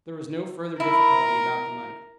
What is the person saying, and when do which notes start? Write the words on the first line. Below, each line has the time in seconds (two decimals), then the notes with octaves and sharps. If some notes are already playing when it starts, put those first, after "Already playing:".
There was no further difficulty about the money.
0.80 E4 A#4